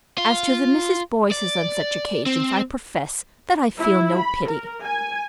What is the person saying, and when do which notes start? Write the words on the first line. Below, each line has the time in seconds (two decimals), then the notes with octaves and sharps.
As to the Mrs. Boyces on such occasions, I profess that I feel no pity.
0.18 F4
1.32 D5
2.26 C4
3.79 E4
4.17 B5
4.48 A#4
4.84 G#5